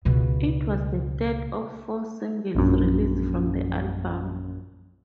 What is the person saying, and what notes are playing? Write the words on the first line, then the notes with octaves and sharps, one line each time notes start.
It was the third of four singles released from the album.
C#2 B2
A#1 F#2